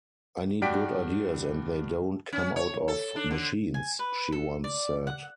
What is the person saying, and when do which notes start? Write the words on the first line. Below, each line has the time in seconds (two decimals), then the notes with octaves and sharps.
"I need good ideas, and they don't come out of machines", she once said.
0.62 G2 F#4 D5 G5 B6 D7
2.33 C#4
2.56 C#5
2.88 A4
3.16 D4
3.31 D3
3.74 G#5
3.99 B4
4.32 A4
4.64 D5
5.07 F#5